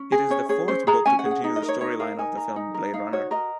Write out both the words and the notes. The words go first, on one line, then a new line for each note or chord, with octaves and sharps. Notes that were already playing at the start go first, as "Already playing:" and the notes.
It is the fourth book to continue the storyline of the film "Blade Runner".
Already playing: C#4
G#4
C#4 C#5
G#4 C#5
C#4 C5
G#4 A#5
C#4 G#5
F#5
G#4
F#5
D#4
D#5
A#4
C#5
D#4 C#5
A#4 F5
D#4 G#5
A#4
D#4
A#4
D#4 F5
F#4 C#5
A#4 D#5